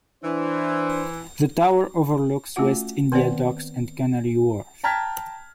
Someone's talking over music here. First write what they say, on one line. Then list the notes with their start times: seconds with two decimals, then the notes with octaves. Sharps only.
The tower overlooks West India Docks and Canary Wharf.
0.24 E3 D4 C5
2.56 A3 C#4 F4 F#4 F#5
3.12 D#3 B3 C4 C5 D5 F#5
4.84 G5 A5 A#5 F6 G#6 B6